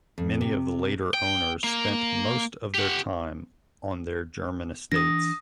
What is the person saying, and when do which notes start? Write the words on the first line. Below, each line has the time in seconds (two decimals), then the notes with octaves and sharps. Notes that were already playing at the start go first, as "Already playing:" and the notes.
Many of the later owners spent most of their time on their German estates.
0.18 F2
0.41 C3
1.14 G5
1.64 A#3
2.74 G4 F#5
4.92 E3 D4 D#6 A#6